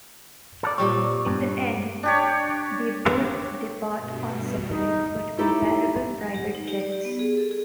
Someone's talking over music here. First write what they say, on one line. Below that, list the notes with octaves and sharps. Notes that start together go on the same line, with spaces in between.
In the end, they both depart on separate but comparable private jets.
A4 A#4 D5
A#2 G3 C4 C#5
G2
D4 G4 C#5
G2 B2
D#4
D#4 E4 G4 A4 C#5
F#3
G4
D#4
G4
D5
G4
B3
G#4
A4
G#4